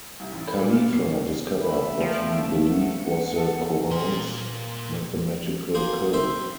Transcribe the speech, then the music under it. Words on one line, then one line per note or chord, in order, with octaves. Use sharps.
Khalifa discovered what he believed was the Qur'an's mathematical code.
C2
A1
B5
A#2
F4
C7
A3 E5 B5
F3 G5
F#5
A4
A#2 C6
A#3 F#4 G#4 C5
C4 C5 E5